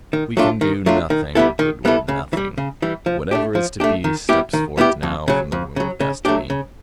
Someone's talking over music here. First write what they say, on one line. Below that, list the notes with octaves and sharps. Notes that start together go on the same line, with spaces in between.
"We can do nothing, Goodwin--nothing. Whatever is to be steps forth now from the womb of Destiny."
D#3
F#3 A3 D4 F4
D#3
F#3 A3 D4 F4
D#3
G3 B3 E4 A4
D#3
G3 B3 E4 A4
C#3
E3
G3
C#3
E3 G3
F3
A3 D4 G4
F3
A3 D4 G4
D#3
G3 B3 E4 G4
D#3
G3 B3 E4 G4
F2
C#3 F#3
F2
C#3 F#3
C#3
F#3 A3 D4 G4
C#3